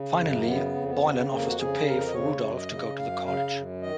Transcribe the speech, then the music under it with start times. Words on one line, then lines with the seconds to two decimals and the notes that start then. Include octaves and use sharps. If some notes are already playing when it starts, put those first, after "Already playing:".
Finally Boylan offers to pay for Rudolph to go to college.
Already playing: C#3
0.17 F#2
0.33 A#3
0.46 C#3 B3
0.75 F2
0.88 B3
1.02 C#3
1.30 F2 A#3
1.47 F#4
1.58 C#3 G#4
1.86 F2 A#4
2.06 D#5
2.14 C#3 C#5
2.42 F#2
2.56 D#5
2.70 C#3
2.98 F#2 F5
3.26 C#3 F5
3.55 F#2
3.82 D#3 D#5